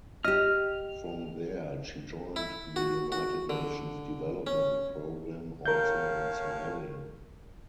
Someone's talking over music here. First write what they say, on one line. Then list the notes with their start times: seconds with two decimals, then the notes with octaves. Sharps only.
From there she joined the United Nations Development Programme also in Somalia.
0.25 G4 D#5 F6
2.36 E4
2.76 F#4
3.12 F#4
3.49 D3
4.47 C#4
5.66 A2 C#4 A#4 F5 G6